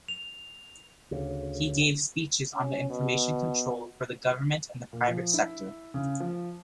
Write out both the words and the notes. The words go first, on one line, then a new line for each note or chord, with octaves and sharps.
He gave speeches on information control for the government and the private sector.
F7
D2 C#3
C#4
B2
A#2
F3
E4
C#3
F3